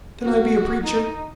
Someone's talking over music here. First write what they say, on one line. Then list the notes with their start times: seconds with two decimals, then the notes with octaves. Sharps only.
Can I be a preacher?
0.22 F#4
0.83 D#4